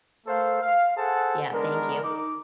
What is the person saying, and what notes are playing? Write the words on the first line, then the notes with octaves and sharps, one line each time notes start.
Yeah, thank you.
A3 A4 A#4 C5 F5
F5
G#4 A4 C5 F#5 A5
G#3 B3 D4 A#4
D#4 D6